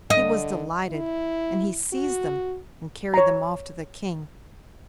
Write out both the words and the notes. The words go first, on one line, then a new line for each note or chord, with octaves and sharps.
He was delighted, and he seized them and carried them off to the King.
D3 D#5
E4
F#4
C#5 A#5